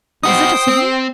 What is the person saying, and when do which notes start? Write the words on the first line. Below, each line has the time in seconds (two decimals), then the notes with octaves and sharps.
Was it a signal?
0.23 D#4 F#4 C5 G5 D#6
0.68 C4